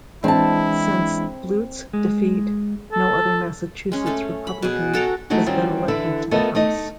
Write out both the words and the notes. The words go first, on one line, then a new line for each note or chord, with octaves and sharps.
Since Blute's defeat, no other Massachusetts Republican has been elected to the House.
E3 G#3 C4 D4 E4 A5
G#3
A4
G#3 C#4
A3 C#4 A4
B5
B2 G#4
F#4 A4 G5 A#5
D#3 G#3 A3 D#4 E4 F#4
D#3 G3 C4 C#4 F4 F#4
D3 E3 A4 B4 E5
A3 B3 F4 A4 A#4 D#5
A3 D#4 D#5